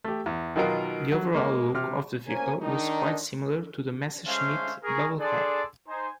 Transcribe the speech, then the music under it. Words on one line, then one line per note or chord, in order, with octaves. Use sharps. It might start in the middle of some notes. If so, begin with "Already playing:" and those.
The overall look of the vehicle was quite similar to the Messerschmitt bubble car.
A3 G4
E2
B2 D#3 F#3 D#4 F4 A#4
F#3
G#3 A#3
C3 F6
A#3 C#4 A#4 C5 G#5
D#3 D4 D#4
G#3 A3 C#4 C5 E5 F5
G#4 A#4 C#6
D4 G#4 A4 D5 C6
D#4 C5 G#5